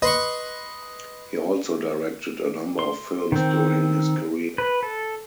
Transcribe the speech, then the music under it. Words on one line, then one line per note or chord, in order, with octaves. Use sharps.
He also directed a number of films during his career.
B4 D#5 C6 C#6
C6
D#3 C4
B4
A4